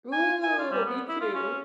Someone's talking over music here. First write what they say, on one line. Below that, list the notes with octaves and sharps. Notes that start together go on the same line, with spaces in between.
Ooh, me too.
G#5
G#5
F4
G3
B3
E4
F4
C#4